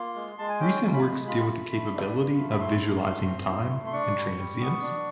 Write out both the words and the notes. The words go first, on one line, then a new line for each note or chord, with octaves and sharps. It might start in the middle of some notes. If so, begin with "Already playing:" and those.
Recent works deal with the capability of visualizing time and transience.
Already playing: A#3 F4 C6
G#3
G#3 A5
G#5
C#4 G5
F4
B5
G#3
F4 B5
A3
A3
D4
F4
A3
B5
E4 C6
A3
A3
C4
E4
A3
C6
D4 C#6
G3
G3
B3
D4